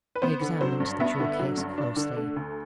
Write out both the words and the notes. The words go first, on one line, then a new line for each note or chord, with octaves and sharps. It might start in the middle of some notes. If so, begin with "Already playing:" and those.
I examined the jewel-case closely.
B4
B3 C5
D3
F#3 C5
G2
B3 E5
D3
F#3
G2
D4
D3
A3
D2